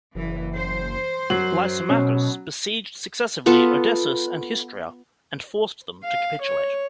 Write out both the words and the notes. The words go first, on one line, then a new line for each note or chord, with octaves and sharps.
Lysimachus besieged successively Odessus and Histria and forced them to capitulate.
F#1 E3
C5
F#2 F#3 F#7
B2 C#4
B3 F4 A4 B4
F5
C#5